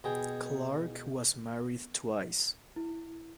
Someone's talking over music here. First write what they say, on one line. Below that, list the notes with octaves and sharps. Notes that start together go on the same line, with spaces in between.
Clark was married twice.
B2 G#4 G5
E4